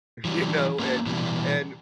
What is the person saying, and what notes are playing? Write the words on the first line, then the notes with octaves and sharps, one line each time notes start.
you know, and and
E3 F#3 G3
A#3 C#4 F#4 A4
B2 E3 G3